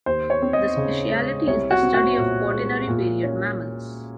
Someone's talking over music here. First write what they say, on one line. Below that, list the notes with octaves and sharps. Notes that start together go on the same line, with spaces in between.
The specialty is the study of quaternary Period mammals.
D#2 C5
C#5
C4
D#5
C#3
G#3
C2 C#5
F#4
C4
F#4
A#2
G#3
A#2
C#4